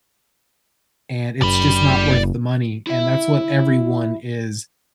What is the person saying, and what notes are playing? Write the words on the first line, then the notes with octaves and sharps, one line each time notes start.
and it's just not worth the money, and that's what everyone is
F#1 D5 B5
E4 E5